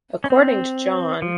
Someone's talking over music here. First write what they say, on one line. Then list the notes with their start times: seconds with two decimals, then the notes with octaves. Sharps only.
According to John.
0.24 C#4
0.30 C4
1.22 F3